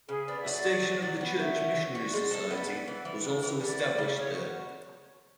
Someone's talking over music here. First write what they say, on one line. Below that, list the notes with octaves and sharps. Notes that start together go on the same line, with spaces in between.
A station of the Church Missionary Society was also established there.
C#3 G#4
B3 D5
E5
F#3 D5
F#3
F#3
F#3
B3
F#4 E5
C#4
F#4
F#4 D5
G#3
A4
B3
B3
E3
E3
A2
E3
B3 D5
F#3
C#3
C#3 C#5
F#4